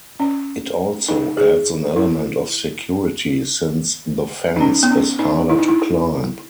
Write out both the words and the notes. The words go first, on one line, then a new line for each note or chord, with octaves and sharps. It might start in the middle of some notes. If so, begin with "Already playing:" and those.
It also adds an element of security, since the fence is harder to climb.
C#4
D#4
G#4
E4
D#4
C#4
B3
C#4
D#4
E4
D#4
E4